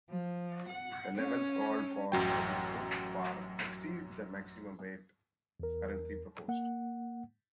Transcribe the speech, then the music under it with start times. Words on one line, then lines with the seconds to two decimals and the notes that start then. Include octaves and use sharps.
The levels called for by this group far exceed the maximum rate currently proposed.
0.10 F3
0.69 F#5
1.15 C#4
2.12 A1 F#2 F#3 G5
5.60 E2 A#4
6.48 A#3 F#5